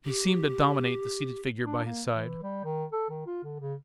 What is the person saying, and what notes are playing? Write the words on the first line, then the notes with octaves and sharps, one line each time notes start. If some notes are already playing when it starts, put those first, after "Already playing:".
He seemed to dominate the seated figure by his side.
G4
D4
A#3
E3
G3
D#3
A4
D#3
F4
D3
C#3